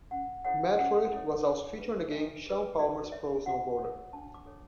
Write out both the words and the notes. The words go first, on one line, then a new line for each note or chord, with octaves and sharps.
"Mad For It" was also featured in the game "Shaun Palmer's Pro Snowboarder".
C#4 F#5
E4 A4 C#5 F#5
C#4 F#5
E4 A4 C#5
D4
G#4 B4
D4 E5
G#4 B4
F#4 D5
C#5 E5
F#4 F#5
C#5
D4 A5
D6
A4 C#5